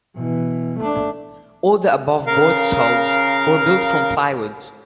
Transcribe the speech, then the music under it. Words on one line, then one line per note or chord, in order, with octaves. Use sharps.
All the above boats' hulls were built from plywood.
B2 E3
A3 D4
C#3 A#4 F5